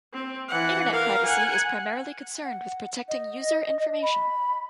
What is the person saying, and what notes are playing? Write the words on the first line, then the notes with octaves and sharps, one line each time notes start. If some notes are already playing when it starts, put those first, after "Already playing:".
Internet privacy is primarily concerned with protecting user information.
C4
E3 F#5
A#4 F5
F#5 G#5
F#5
D#5
B5